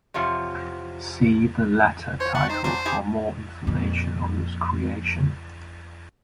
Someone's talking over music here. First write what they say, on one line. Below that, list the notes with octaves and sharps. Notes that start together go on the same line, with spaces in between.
See the latter title for more information on this creation.
E2 C3 F3 F4 C#5 A5
C5 C#5
A3 F#5
C4 D#4 C5
F#3 A3 D4 C5
G3 G4 G#4
F2 A#2